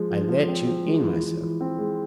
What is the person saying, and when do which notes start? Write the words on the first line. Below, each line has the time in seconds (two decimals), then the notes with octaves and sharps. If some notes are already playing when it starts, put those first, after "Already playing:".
I let you in myself.
Already playing: F3 G#3
0.11 F3
0.29 F3
0.48 C4
0.66 F3
0.86 G#3
1.04 E3
1.23 E3
1.42 E3
1.61 C4
1.78 G#3